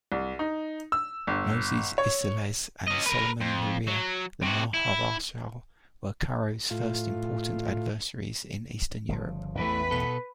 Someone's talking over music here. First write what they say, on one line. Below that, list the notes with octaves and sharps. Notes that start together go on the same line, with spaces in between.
Moses Isserles and Solomon Luria-the Maharshal, were Karo's first important adversaries in Eastern Europe.
C2
D#4
E6
G1
C#5
C#4 D#5
A#4 B4
F2
F#3
C3 F#4
E4
A2 F4
G1 C#3 F3
A1 E2 E3 A3 B4
B2 B3 A4